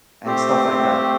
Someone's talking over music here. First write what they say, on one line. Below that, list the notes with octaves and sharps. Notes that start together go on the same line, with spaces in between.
and stuff like that.
A3 C4 G4 C5